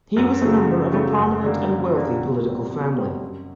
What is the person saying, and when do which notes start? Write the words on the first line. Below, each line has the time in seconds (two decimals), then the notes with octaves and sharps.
He was a member of a prominent and wealthy political family.
0.16 F#2
0.42 C#3 F#3 A3
0.67 F#2
0.92 C#3 F#3 A3
1.17 F#2
1.43 D3 G3 A#3
1.69 F#2
1.95 D3 G3 A#3
2.20 B2
2.45 G3 C4
2.71 B2
2.96 G3 C4
3.21 F#2